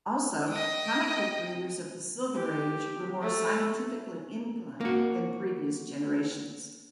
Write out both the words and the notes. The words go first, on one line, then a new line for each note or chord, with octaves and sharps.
Also, comic book readers of the Silver Age were more scientifically-inclined than previous generations.
D#5 G5
G4
A3
A#3 F#4